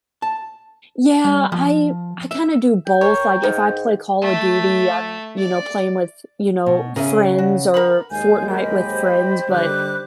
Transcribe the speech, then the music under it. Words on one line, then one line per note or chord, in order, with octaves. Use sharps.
Yeah, I I kinda do both, like, if I play Call of Duty, I'm, you know, playing with, you know, friends or Fortnite with friends, but
A5
G3
F3
E5
G5
A#4 C#5
G#2 D#3
A3
D5
B2
C#3 G#4 A#4 E5
F#4
A#4 F#5 B5
D#2 F#3 G#3 F5 G#5 G6
G4 A#4 D#5 B5
C5
D3 D#3 G3 B5 D6 F#6